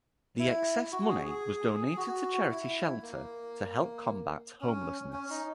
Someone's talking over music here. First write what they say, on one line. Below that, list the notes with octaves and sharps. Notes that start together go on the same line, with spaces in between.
The excess money was donated to charity Shelter to help combat homelessness.
E4
F#4
G#4
G#4
G#4
F#4
E4
A#3
C#4
C#4
D#4